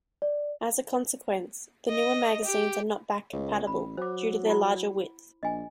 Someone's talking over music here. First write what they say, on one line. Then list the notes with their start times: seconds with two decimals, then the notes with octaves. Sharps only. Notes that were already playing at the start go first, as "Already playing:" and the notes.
As a consequence, the newer magazines are not back-compatible, due to their larger width.
0.22 D5
1.89 D#5
2.44 G4
3.33 C#2
3.67 A1 B5
3.97 F#3 C5 D6
4.45 E4 B5
5.43 A#1 D#5 G#5